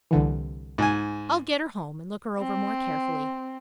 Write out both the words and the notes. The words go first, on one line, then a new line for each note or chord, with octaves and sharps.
"I'll get her home and look her over more carefully."
C2 D3 E3
G#2 G#5
C4